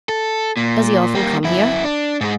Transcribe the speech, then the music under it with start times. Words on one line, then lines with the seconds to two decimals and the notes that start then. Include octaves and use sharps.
"Does he often come here?"
0.09 A4
0.57 A#2
1.15 G3 A#3
1.44 F#2 E4
1.85 D4
2.21 G#2 G#3